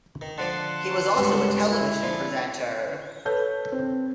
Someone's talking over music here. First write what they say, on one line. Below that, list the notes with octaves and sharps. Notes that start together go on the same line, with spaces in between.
He was also a television presenter.
D#3
D3 F3 D5 F#5 A5 C6
C#2 G2 B3
E4
D3 F3
A4 B4 C#5 G6
C4